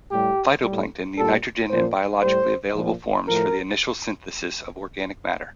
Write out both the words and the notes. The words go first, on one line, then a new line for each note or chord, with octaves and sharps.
Phytoplankton need nitrogen in biologically available forms for the initial synthesis of organic matter.
A2 G3 G4
A2 G3
A#2 G3 A4
A#2 F3 C5
A2 G3 C5
A#2 F3
A2 F3 A#4